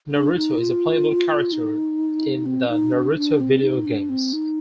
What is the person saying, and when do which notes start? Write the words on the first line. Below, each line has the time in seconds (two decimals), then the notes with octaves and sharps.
Naruto is a playable character in the "Naruto" video games.
0.11 D4
0.35 D#4
0.59 F4
1.52 D#4
2.46 C4
2.69 D#4
2.92 D4
3.16 D4
3.40 C4
3.63 D#4
3.86 D4
4.10 C4
4.33 D#4